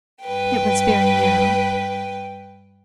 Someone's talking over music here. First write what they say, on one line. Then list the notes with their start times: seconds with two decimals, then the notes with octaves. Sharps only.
It was very narrow.
0.24 G2 B4 G5